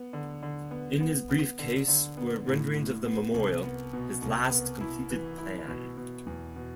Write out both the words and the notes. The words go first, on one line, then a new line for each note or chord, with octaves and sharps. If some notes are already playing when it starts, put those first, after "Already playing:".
In his briefcase were renderings of the memorial, his last completed plan.
Already playing: B3
D3
D3
B3
B3
B3
D3
D3
B3
A2
A2
B3
C2
B3
B2
C2
B3
E4
E3
E4
B2
B2
E2
B2